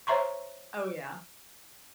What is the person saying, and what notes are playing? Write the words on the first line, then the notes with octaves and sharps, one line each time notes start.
Oh, yeah.
C5 C#5 E5 A#5 C6 C#6